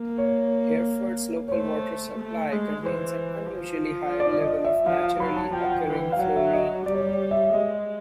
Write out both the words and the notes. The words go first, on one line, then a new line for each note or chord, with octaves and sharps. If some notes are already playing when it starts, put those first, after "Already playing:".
Hereford's local water supply contains an unusually high level of naturally occurring fluorine.
Already playing: A#3
C#5
C#5
A3 C5
A3
G#3
E3 C5
F3
D5
D#5
E5
F3 F5
F5
F#3 B5
A5
F3 G5
F#5
G5
E3
F5
F#3 F#5
E5
D#5
G3 D5
C#5
D5
C#5
E5
G#3 D#5